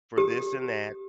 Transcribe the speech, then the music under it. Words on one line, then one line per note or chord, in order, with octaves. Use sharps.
for this and that,
G4